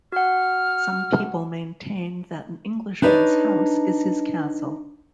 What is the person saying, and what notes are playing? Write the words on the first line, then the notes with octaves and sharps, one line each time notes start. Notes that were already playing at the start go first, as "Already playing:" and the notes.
Some people maintain that an Englishman’s house is his castle.
F#4 F#5 F6
D4 D#4 B4 C#5 D5